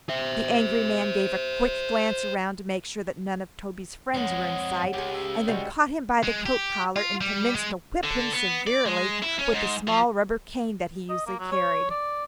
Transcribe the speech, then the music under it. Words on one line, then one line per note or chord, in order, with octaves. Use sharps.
The angry man gave a quick glance around, to make sure that none of Toby's friends were in sight, and then caught him by the coat-collar and commenced to whip him severely with the small rubber cane that he usually carried.
C5 E5
F2 G#3 C#5 F#5
C#2 G4 G#4
E6
G3 G#3 F#4
G#3
G4
F4
G3
G#3
D3
B3
D5
G#3
E4
C#4
G#2
F3
D#5
A#3
F#3
C#5
D5